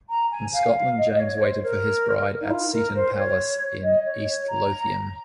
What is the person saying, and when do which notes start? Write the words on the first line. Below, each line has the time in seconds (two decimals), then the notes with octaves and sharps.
In Scotland James waited for his bride at Seton Palace in East Lothian.
0.09 A#5
0.31 G#5
0.53 F5
0.75 F5
0.97 D#5
1.12 D#5
1.19 C#5
1.35 C#5
1.41 C5
1.63 A#4
2.41 D#4
2.50 F4
2.72 A#4
2.95 C5
3.16 C#5
3.83 D#5
4.05 C#5
4.27 C#5
4.48 A#5